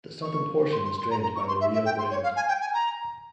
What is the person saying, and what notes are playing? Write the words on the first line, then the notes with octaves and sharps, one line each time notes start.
The southern portion is drained by the Rio Grande.
C#6
C6
C6
C6
A#5
A#5
C#6
C6
E5
E5
G5
C6
C#5
F5
G#5
G5
G#5
A#5